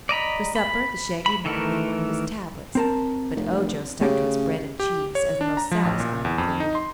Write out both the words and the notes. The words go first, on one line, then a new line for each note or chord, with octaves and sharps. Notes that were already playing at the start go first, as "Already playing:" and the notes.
For supper the Shaggy Man ate one of his tablets, but Ojo stuck to his bread and cheese as the most satisfying food.
D5 D#5 A#5 B5
B5
B5
D#3 E3 A3 A4 A#4
C4 A#4 A5
F1
C#3 A3 C#4 G4
G4
C#5
D4
A#5
F3
A1
A#2
E2
F2
D#4
C6